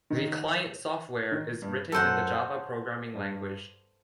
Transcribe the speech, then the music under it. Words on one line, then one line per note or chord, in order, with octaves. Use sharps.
The client-software is written in the Java programming language.
D#3
D#3
G2
F#2 A4 C5 F#5
G2